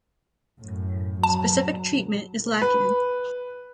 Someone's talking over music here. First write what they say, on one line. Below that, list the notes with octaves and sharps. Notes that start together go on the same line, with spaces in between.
Specific treatment is lacking.
F#2 A2
F#3 A5
B4